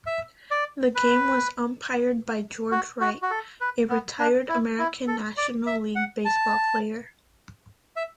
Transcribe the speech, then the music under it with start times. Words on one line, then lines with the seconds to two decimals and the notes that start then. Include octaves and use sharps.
The game was umpired by George Wright, a retired American National League baseball player.
0.06 E5
0.51 D5
0.95 B4
2.72 F#4
3.01 F#4
3.22 F#4
3.31 A4
3.61 B4
3.90 B3
4.19 D4
4.49 E4
4.79 E4
5.07 A4
5.38 D5
5.66 E5
5.95 F#5
6.25 A5
7.96 E5